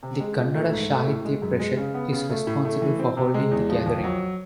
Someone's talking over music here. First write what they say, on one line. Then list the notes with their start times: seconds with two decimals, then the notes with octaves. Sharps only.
The Kannada Sahitya Parishat is responsible for holding the gathering.
0.03 C3
0.20 G#3
0.37 A#2
0.55 A3
0.72 G#2
0.90 A3
1.07 A2
1.25 G#3
1.42 F#2
1.59 G#3
1.77 C#3
1.94 B3
2.12 C#3
2.30 A3
2.47 A2
2.65 A3
2.82 E3
2.99 C4
3.17 C3
3.34 G#3
3.51 E2
3.69 F3
3.86 F2
4.04 F#3